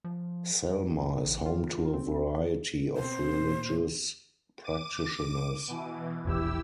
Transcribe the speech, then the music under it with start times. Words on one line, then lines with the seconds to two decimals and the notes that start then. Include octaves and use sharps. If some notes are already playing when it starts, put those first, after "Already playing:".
Selma is home to a variety of religious practitioners.
0.04 F3
0.70 F#2
1.00 F#1
1.25 A1
1.46 F4
1.93 C4
2.97 B2 C4 C5
3.39 A#2
4.64 D6 D#7
5.68 B2 E3
6.25 E1 A#1 E2 E4 G4 E6